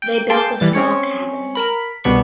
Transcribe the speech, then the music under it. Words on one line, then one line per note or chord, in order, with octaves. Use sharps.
They built a small cabin.
G5
G#4 G5 A5 C6
E3 G3 A6
C4 C#4 C#5 C#7
A#4 B5
C2 B2 B3 D4 B5 C#6